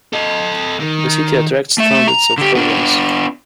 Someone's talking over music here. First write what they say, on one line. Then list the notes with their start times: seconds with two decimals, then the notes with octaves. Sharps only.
The city attracts thousands of pilgrims.
0.13 A4 D#5
0.80 D#3
1.78 A3 E5
2.08 A#5
2.38 D3 G4
2.55 B3 D4